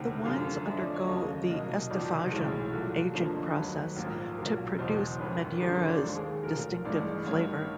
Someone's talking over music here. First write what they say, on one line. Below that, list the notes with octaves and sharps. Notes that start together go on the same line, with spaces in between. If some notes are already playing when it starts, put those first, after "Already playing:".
The wines undergo the "estufagem" aging process to produce Madeira's distinctive flavor.
Already playing: E1 D2 C3 D#3 F#5
F#2 D3 F3 F5
F2 D3 F3 A3 E5
D5
C#5
D#2 C#3 F#3 A3 D#5
C2 B2 F#3 A#3 D#5
F#1 F2 C3 D#3 F#3 D5
B1 A2 E3 G#3 C#5
C2 A#2 F#3 A3
F2 D3 F3 A#3 C5
D#2 D#3 F#3 A3 B4
A#1 G#2 F3 A#3
B1 A#2 F#3 A#3
F#1 E2 B2 C5
G#1 F#2 D#3 B4
G#1 F#2 D3 F3
C5
D5
D#2 D#3 G#3 A4
G#4
B1 A#2 F3 A3 A#4
A1 G2 E3 G#3 D5
A1 G2 D#3 C#5